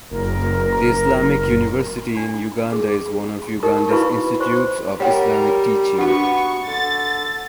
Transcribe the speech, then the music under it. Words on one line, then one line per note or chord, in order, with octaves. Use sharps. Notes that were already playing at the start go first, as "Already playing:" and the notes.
The Islamic University in Uganda is one of Uganda's institutes of Islamic teaching.
F#1 A#4
D4
G#4
D#4 G4 A#4 D#6
E4 F#4 B4 F5 B5 C#6
C5 C6 C#6
G3 A#4 C#5 F#5 G5
B3 D4 F#4 C#6
D3 A6